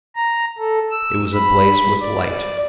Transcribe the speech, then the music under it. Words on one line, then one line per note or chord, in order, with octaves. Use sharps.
It was ablaze with light.
A#5
A4
E6
B5
D5